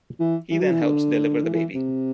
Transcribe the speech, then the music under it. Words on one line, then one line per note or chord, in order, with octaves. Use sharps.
He then helps deliver the baby.
E3
E3
F#3
E3
D3
E3
E3
C3